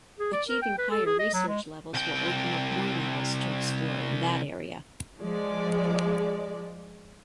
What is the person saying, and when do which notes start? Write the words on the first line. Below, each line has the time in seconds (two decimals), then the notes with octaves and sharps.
Achieving higher research levels will open up more levels to explore in that area.
0.19 G#4
0.33 D5
0.48 A#4
0.62 G5
0.78 B4
0.91 A4
1.06 G#4
1.19 D#5
1.34 F#3
1.48 G#3
1.94 C2 G5
5.19 F3 G#3 D5